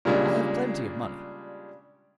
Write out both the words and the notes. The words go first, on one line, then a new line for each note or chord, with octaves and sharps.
I have plenty of money.'
A#2 C#3 G3 G#3 D4